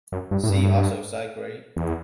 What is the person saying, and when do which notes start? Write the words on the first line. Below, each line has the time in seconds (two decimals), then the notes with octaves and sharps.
See also: sidegrade.
0.12 F#2
0.31 G2
0.43 A2
0.49 G2
1.77 E2